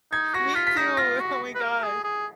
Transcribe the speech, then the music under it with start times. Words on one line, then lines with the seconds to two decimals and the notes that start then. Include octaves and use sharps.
Me too, oh my gosh.
0.12 D#4 G#6
0.34 F#4 A#6
0.55 F4 B6
0.67 B6
0.77 D#4 A#6
0.97 F4 A#6
1.19 F#4
1.55 B4
1.61 A#4
1.83 G#4
2.04 G#4